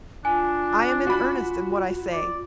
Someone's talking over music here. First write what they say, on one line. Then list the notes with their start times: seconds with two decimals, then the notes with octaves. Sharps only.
I am in earnest in what I say.
0.25 D4 F4 G#5
1.07 F#4 B5
2.13 D5